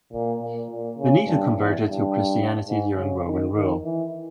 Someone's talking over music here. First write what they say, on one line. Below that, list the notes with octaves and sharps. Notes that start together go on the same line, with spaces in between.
Veneto converted to Christianity during Roman rule.
A#2
A#2
A#2
C#3
G2
E2
G2
G#2
C#3
D#3
D#3
E3